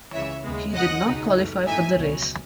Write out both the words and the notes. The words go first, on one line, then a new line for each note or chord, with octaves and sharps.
He did not qualify for the race.
C#2 C#3 E3 C#5 E5
D#2 C#3 G#3 B3
E2 C#3 F#3 D#5 F#5
C#2 B2 G#3 D#4
F#2 E3 A3
G#1 G#2 E3 A3 D#4 E5 G#5
C#2 B2 F#3 C#4